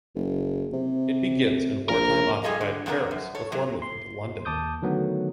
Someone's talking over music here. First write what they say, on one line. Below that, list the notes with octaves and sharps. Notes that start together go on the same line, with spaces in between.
It begins in wartime occupied Paris before moving to London.
F#1
C3
A#1 A#4
G3 F4 G#4 A4 D#5 F5
D3
F2 A#2 D3 F#4 A#4
F#2
A4 C#5
C3 F#3
C6
D#2 A5 D6 D#6 G6
D3 D#3 F#3 A3 B3